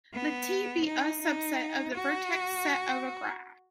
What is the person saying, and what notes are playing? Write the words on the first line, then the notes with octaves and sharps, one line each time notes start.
Let "T" be a subset of the vertex set of a graph.
B3
D#4
D#4
F#4